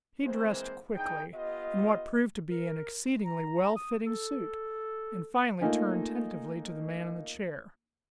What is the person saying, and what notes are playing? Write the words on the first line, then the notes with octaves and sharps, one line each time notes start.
He dressed quickly, in what proved to be an exceedingly well-fitting suit; and finally turned tentatively to the man in the chair.
E3 G#3 A#3 C4 C5
E2 D#4 G#4 G5
B3 F4 G4 D#5
A#4
A#5
D#6
A4
A3 A#3 D#4 F4 G#5